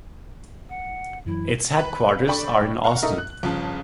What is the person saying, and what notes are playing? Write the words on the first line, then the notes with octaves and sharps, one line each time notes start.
Its headquarters are in Austin.
F#5
F#2 E3 F#3 E4
B4 B5
D4 A4 D5 G5 B5 C#6
F5 F#5 A#5 C#6
D#4 A4 A#4 D#5 E5
F#6
G1 C#3 F3 A5